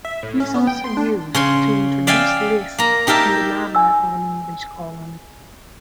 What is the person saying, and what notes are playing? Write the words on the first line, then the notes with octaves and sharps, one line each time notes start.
It is also used to introduce lists in the manner of an English colon.
E5
A2
C#4
B3
G5
C6
D4
C#3 C#5 C6
D5 E5 F5 G5 G#5
A#3 A#5
D#4 G4 A#4 E5 A5
G#5 E6